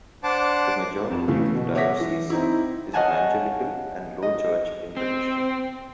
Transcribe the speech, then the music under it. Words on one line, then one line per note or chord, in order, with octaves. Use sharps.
The majority of the diocese is evangelical and low church in tradition.
D4 C5 F#5 A5 D6
F2
C#3 E3 A3
B2
C#5 E5 F#5 D6 A#6 B6
E3
C4 D#4 E4
C#5 D#5 F5 F#5 G#5 A5
D#5
C4